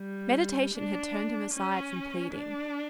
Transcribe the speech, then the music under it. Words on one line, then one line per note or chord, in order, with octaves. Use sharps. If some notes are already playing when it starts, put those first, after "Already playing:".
Meditation had turned him aside from pleading.
Already playing: G3
D4
C#4
D4